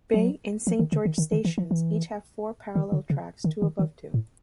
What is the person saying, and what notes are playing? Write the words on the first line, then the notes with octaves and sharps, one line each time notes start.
Bay and Saint George stations each have four parallel tracks, two above two.
F#3
F3
D#3
D3
D#3
D#3
D#3
E3
F3
E3
D#3
D3
C#3
D#3
D#3
D#3
A2